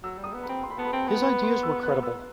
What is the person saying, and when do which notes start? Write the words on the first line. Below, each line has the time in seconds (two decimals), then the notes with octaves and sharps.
His ideas were credible.
0.03 F#3 E6
0.18 G3
0.24 D#6
0.33 B3
0.43 B5
0.49 C4
0.63 C6
0.71 B5
0.78 B3 A5
0.85 B5
0.93 C4 A5
1.08 B3
1.23 B5
1.43 C6
1.63 E6
1.83 F#6
2.03 E6